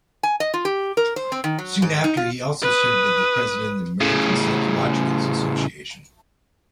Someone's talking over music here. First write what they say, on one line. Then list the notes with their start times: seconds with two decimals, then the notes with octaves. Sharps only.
Soon after, he also served as the president of the American Psychological Association.
0.23 G#5
0.40 D#5
0.54 F4
0.65 G4
0.97 A#4
1.16 C5
1.32 C4
1.44 D#3
1.58 F#3
1.82 G#2
2.04 D#4
2.17 F4
2.62 B4 D#6
4.01 A2 C#3